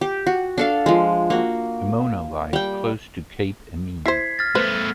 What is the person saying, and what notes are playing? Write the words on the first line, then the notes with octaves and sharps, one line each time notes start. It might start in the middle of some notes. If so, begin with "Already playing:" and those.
Emona lies close to Cape Emine.
G4
F#4
D4 A4 F5
F3 G#3
A#3 F#4
G3 G5
E4 C5 G#6 B6 C7
F6 A6 A#6
A3 B3 B4 C5